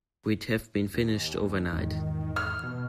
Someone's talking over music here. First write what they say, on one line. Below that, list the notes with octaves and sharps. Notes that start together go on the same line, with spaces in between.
We'd have been finished overnight.
D#2
E2 G#2 D#3
F6
B2